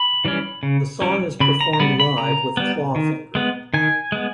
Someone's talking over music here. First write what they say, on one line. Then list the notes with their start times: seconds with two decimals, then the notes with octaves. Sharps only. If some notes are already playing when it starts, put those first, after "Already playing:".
The song is performed live with Clawfinger.
Already playing: B5
0.25 E3 G3 C#4
0.63 C#3
1.02 E3 G3 C#4
1.40 C#3 B5
1.61 A#5
1.73 A#5
1.80 G3 B3 B5
2.00 B5
2.18 C#3 A#5
2.57 G3 B3
2.96 D#3
3.35 G#3 B3
3.74 D#3 G#5
4.12 G#3 B3